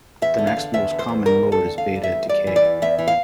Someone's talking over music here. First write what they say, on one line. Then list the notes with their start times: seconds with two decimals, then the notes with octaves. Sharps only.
The next most common mode is beta decay.
0.22 E2 E5
0.38 D3
0.47 F5
0.57 D3
0.74 E2 E5
0.90 E2
0.99 C5
1.08 E2
1.26 G3 A#4
1.43 E2
1.52 A4
1.61 D3
1.78 D3 F5
1.96 G3
2.03 E5
2.12 E2
2.29 G3 D5
2.47 E3
2.56 D5
2.65 E2
2.82 E2 E5
2.98 E3
3.08 F5